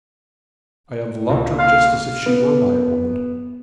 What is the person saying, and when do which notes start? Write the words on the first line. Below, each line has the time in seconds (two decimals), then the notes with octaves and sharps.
I have loved her just as if she were my own.
1.30 C#2 A#2
1.59 F5
2.26 B3